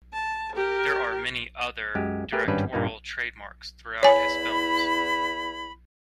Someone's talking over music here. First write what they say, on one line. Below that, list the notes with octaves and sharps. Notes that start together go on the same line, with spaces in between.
There are many other directorial trademarks throughout his films.
A5
G4 A#4
F#2 G#3 G4
A3 G4 G#4 A#4 B4
G#1 G2 G3 C#4 B4
G2 A#2 A#3 D#4
E2 E4 C#5 G#5 B5